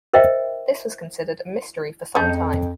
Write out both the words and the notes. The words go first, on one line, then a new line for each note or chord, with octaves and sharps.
This was considered a mystery for some time.
A#4 C5 D#5 E5 G5
F2 C#3 A3 D#4 G6